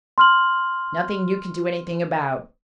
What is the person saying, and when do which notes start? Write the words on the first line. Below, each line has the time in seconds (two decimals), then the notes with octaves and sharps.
Nothing you can do anything about.
0.18 C6 F6 F#7